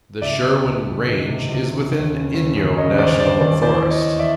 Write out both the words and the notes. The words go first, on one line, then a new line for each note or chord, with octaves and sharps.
The Sherwin Range is within Inyo National Forest.
C#2 D5 E5
C#2
C#2
C#2
D#3
C3
C#2
D#3
D#2
C#3
D#2
C#3
C#3 C#5 D#5
D#2 C5 D5
C#3 C5 D5
D#2 C5 D5
E3 C5 D5
E3
C#5 D#5
E2
D5 E5